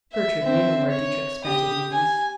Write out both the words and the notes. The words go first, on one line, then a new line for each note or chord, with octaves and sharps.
Gertrude knew where Dietrich spent his evenings.
E5
C4 E5
C#5
G4 D#6
G#5